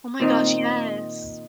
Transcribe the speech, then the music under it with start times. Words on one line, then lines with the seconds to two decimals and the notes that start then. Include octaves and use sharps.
Oh my gosh, yes.
0.20 A#2 D#3 C4 D#4